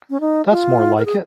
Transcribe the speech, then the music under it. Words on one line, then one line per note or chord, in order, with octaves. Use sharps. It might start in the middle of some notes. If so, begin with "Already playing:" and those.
That's more like it.
C#4
D#4
F4
A#4
G#4